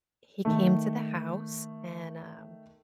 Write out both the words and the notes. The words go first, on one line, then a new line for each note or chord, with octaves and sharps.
he came to the house, and, um
D#3 A3